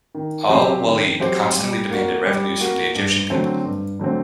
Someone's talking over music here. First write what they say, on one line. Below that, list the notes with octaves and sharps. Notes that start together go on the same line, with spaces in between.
Al-Walid constantly demanded revenues from the Egyptian people.
D#3
F#3 C4 G4 C5
D#3
F#3 C4 G4 C5
G3
A#3 F#4
G3
A#3 F#4
G2
D3 F#3 A3 C4
G2
D3 F#3 A3 C4